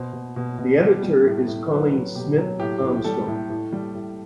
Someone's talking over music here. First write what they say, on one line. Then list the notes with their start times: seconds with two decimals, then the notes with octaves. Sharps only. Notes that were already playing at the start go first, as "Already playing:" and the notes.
The editor is Colleen Smith Armstrong.
Already playing: B2 C5
0.13 B2
0.36 B2
0.58 B2
0.80 G3
1.03 G3
1.26 A2
1.48 A2
1.71 F#3 B4
1.93 F#3
2.15 B2 G4
2.38 F#3
2.60 A2 G4
2.83 A2
3.04 G3 A4
3.27 A2
3.50 A2
3.73 G3
3.95 A2